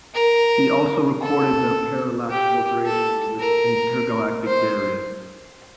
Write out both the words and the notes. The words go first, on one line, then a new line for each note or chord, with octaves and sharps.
He has also recorded as The Parallax Corporation with Intergalactic Gary.
A#4
A4
G4
A4
A#4
C5